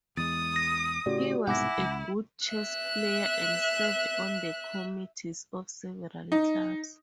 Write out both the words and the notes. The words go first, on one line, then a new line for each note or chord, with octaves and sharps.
He was a good chess player, and served on the committees of several clubs.
E2 G#3 D#6 A6
A#6
A2 C#3 F#4 G4 D5
C2 G#2 B2 E4 F#5 G#5 D6 A#6
C#2
E5 F#6
D#4